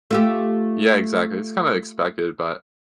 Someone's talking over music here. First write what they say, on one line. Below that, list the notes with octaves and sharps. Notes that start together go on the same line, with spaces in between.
Yeah, exactly, it's kind of expected, but
A3 F4 G4